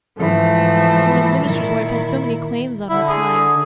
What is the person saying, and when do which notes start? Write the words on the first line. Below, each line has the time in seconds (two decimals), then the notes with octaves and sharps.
When a minister's wife has so many claims on her time!
0.18 G#2 E3 F3 A3
1.42 A#2 D#3 E4
2.89 D3 E4
3.08 G#4